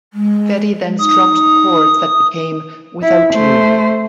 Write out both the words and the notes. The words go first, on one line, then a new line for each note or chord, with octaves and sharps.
Fedi then strummed the chords that became "Without You".
G#3
D#4 D#6
E4
A3 C5